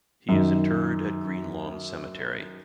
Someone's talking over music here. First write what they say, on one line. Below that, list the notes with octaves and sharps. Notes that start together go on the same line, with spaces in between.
He is interred at Greenlawn Cemetery.
F#2 D#3